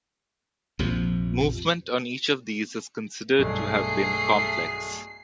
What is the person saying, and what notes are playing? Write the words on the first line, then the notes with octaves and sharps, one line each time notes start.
Movement on each of these is considered to have been complex.
A#1 F2 C3 F3
B1 G2 A3 G#4 C7